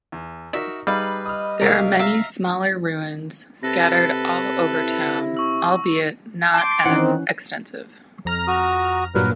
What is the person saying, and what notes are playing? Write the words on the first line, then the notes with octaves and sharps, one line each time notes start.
There are many smaller ruins scattered all over town albeit not as extensive.
E2
D#4 F#4 A#4 E5
G3 D#4 G#4 B4 D#5 F5
D#5 D#6 F6
C2 A#4 E5 F5
E5 F5 A#5
C3 A4 B4 A#6
E4
C#6 E6
A5 C6 D6 G6
D#3 E3 C4 C#4 F#5
F2 A#5 F6
F#4 D#6
G2 A#2 F#3 A#4 B4